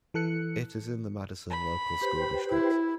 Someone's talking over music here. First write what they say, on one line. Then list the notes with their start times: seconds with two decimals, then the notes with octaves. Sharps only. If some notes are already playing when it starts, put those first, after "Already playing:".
It is in the Madison Local School District.
0.14 E3 A4 F#6 C#7
1.50 B5
2.01 G4 B4 C5
2.51 E4